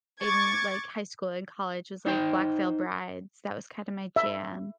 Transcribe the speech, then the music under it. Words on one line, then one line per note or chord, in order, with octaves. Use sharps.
in, like, high school and college was, like, Black Veil Brides. That was kinda my jam.
C#6 D6 G#6 A6
D#4 C5 G5
E5